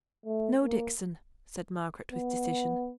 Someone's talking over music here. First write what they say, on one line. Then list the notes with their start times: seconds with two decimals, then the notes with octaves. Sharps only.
'No, Dixon!' said Margaret with decision.
0.25 A3
0.63 A#3
2.13 B3